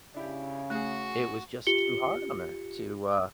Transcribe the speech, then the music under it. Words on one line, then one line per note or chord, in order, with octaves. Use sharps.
it was just too hard on her to, uh,
C#3 D4 E4 G4
A3 C#4 F#4 G#4
F4 G4 C#7 G7